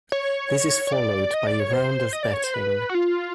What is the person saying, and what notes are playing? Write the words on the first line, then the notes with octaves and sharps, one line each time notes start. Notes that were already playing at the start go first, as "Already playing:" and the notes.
This is followed by a round of betting.
C#5
C#5
D5
D#5
D5
C#5
C5
D#5
D5
C#5
C5
B4
F#4
F4